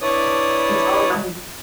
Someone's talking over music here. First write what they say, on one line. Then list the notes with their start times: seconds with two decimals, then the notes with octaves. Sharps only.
It's all about him.
0.01 D4 E4 B4 C#5 D5 D#6